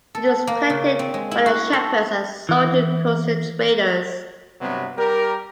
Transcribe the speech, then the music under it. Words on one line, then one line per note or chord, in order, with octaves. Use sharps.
It was collected by the shepherds and sold to coastal traders.
A4
A#3
C#3
C4
G#3
E4
F#4
A4
E3
G2 C3 F#3 G3 B3
G3 G4 A#4